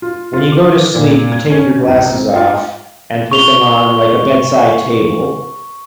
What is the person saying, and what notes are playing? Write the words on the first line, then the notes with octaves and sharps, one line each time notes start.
when you go to sleep, you take your glasses off and put them on, like, a bedside table.
F4
F4
D6
A#2
G#6
C#4
C2
C4
F4
C#6 F7 G7